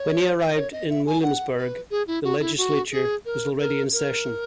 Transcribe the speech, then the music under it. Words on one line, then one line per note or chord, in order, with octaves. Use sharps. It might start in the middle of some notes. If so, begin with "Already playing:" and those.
When he arrived in Williamsburg, the legislature was already in session.
Already playing: C#5
C#5
D#5
E5
G#5
F#5
B4
G#4
E4
F#4
E4
F#4
G#4
A#4
A#4
A#4